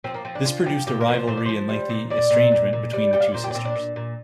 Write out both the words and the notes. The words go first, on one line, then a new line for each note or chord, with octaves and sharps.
This produced a rivalry and lengthy estrangement between the two sisters.
F3 C4
A#3
F3 C4
D4
F3 F4
F3 G4
A#2 G4
A#4
F3
C5
A#2 C5
D5
F3 C5
G3
A#2
A#2 D5
A#2
A#2
A#2
G3 D5
G3 G5
F5
D5
A#2 C5
G4
D4
A#2 C4
D4
A#2
A#2